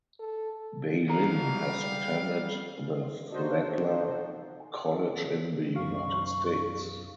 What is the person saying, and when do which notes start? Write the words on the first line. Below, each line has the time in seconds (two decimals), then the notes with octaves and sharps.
Beilin has attended the Flagler College in the United States.
0.19 A4
1.09 G3 F5 A#5
3.30 D4 D#4 F#4 A4 C5
5.76 B1 F#2 F5 C#6